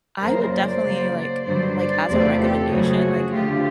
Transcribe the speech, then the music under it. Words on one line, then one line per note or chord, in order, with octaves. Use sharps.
I would definitely, like like, as a recommendation, like, uh
F#2 C#3 F3 A#3 A#4 C5
C5 D5
C#3 F#3 A#3
G2 D3 F#3 C5 D5
C5 D5
E2 C3 F3 A3 C4 C5 D5
G4 A4
F#2 C#3 F3 A3 F#4 G#4
D3 F3 A3 F4 G4